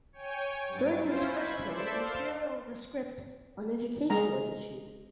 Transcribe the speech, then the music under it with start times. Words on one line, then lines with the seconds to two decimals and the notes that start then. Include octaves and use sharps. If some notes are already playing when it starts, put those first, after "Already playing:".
During his first term, the "Imperial Rescript on Education" was issued.
0.13 C#5 G5 G#5
0.68 G2 F#3 A6 D7
0.97 C#4 E4 F4 C5
1.30 B5 G#6
1.61 A4 C5 D5 E5
1.95 C5 F5 A5 C6
4.10 G#3 A#5